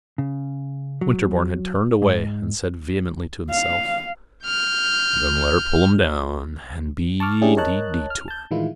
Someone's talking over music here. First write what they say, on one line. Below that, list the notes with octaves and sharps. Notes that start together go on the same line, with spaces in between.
Winterborne had turned away, and said vehemently to himself, "Then let her pull 'em down, and be d--d to her!"
C#3
F#3
G#2
F5
F6 G6
A5 C#6 D6 F6
G#3 C#4 D4 E4 G4 G#4
A#4 C#5 D#5 A5 F#6
F6
A5 G6
A2 D#3 E3 G#3 E4 F4